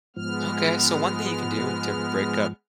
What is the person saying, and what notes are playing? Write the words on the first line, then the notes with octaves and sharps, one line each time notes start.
Okay. So one thing you can do to break up
G#2 F3 G#3 B3 F6